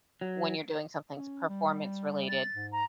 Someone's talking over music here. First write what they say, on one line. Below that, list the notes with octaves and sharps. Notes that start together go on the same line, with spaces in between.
when you're doing somethings performance-related.
F#3
C#4
G3
A6
G#2
A#5